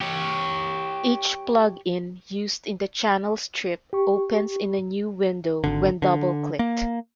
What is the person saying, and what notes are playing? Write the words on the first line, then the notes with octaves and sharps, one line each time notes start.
Each plug-in used in the channel strip opens in a new window when double-clicked.
G4 C#5
G4 C#6
G#1 D3
D3
A#3